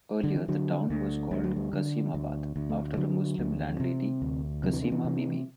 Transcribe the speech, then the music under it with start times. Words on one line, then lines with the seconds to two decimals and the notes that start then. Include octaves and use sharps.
Earlier the town was called Qasimabad, after a Muslim landlady Qaseema Bibi.
0.24 D3
0.36 E3
0.48 D3 F#3
0.90 D2
1.31 D2 G3
1.44 F#3
1.56 G3
1.73 D3
2.14 D2
2.56 D2
2.70 A3
2.97 D3 F#3
3.39 D2
3.80 C3
4.22 D2
4.63 C3 F#3
4.73 E3
4.82 D3
4.92 E3
5.05 C3